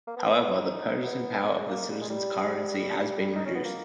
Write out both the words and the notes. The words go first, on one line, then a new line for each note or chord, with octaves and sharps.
However, the purchasing power of the citizens' currency has been reduced.
A#3
B3
E4
D#4
B3
A#3
G#3
A#3
G3
G#3
G3
D#4
C#4
B3
A#3